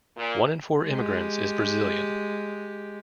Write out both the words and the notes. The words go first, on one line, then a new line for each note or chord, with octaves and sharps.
One in four immigrants is Brazilian.
A#2
G#3 G4